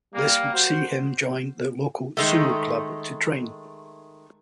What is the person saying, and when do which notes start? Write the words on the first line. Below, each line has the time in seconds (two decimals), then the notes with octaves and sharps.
This would see him join the local sumo club to train.
0.14 G3 A#3
0.54 F#4 C5
2.17 D#3 G#3 A3